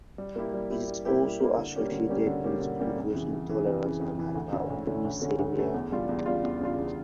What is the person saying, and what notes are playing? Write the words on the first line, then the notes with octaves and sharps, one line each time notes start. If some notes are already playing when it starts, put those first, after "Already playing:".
It is also associated with glucose intolerance and hyperuricemia.
G3
A#3 E4 G4
G3
A#3 E4 G4
G3
A#3 E4 G4
G3
A#3 E4 G4
D3
G3 A#3 C#4 G4
D3
G3 A#3 C#4 G4
D3
G3 A#3 C#4 G4
D3
G3 A#3 C#4 G4
F2
C#3 E3
F2
C#3 E3
F2
C#3 E3
F2
C#3 E3
D2
D3 A3 C#4
D2
D3 A3 C#4
D2
D3 A3 C#4
D2
D3 A3 C#4
E2
C#3 G3 D4 F4
E2
C#3 G3 D4 F4
E2
C#3 G3 D4 F4
E2